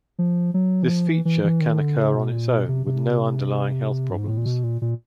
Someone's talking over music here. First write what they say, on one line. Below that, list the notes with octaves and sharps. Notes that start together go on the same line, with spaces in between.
This feature can occur on its own, with no underlying health problems.
F3
F#3
E3
F3
E3
E3
E3
D#3
D3
C#3
B2
A#2
B2
C3
C3
G2
G#2
A2
A#2
B2
A#2
A#2